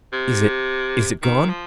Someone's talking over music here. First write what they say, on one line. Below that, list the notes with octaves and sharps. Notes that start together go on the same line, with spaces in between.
"Is it--is it gone?"
C3
D#3
F3